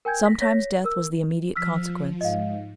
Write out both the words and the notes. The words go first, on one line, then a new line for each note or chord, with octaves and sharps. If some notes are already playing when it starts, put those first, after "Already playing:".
Sometimes death was the immediate consequence.
A#4 G5 G#5 G6 G#6
A#6 B6
C#5 A#6 B6
A#4 E6
F3 E6 F6 B6
G#2 D#5 F5